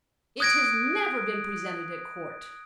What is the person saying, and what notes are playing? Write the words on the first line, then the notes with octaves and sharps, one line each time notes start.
"It has never been presented at court."
D#6 F#6 G#6 A#6 D7